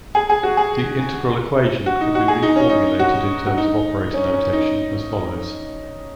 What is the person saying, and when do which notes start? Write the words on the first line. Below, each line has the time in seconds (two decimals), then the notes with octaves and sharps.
The integral equation can be reformulated in terms of operator notation as follows.
0.15 G#4
0.29 G#4
0.43 F#4
0.57 G#4
1.86 F#4
2.01 D#4
2.15 F#4
2.28 G#4
2.43 D#4
2.56 C#4
2.69 D#4
2.99 F#4
3.46 F#4
3.58 D#4
4.14 C#4
4.33 C#4
4.53 D#4